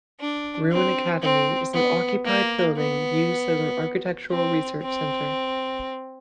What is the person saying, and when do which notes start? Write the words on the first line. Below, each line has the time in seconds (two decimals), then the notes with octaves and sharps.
Ruin Academy is an occupied building used as an architectural research centre.
0.20 D4
0.71 C4
1.22 C4
1.73 B3
2.25 A#3
2.76 B3
4.30 C4
4.82 C4